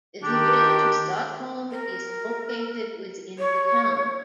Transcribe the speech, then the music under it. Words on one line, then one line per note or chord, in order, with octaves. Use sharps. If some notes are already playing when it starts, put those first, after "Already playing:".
The Village of Stockholm is located within the town.
D#3 D4 G4
A#4
C#5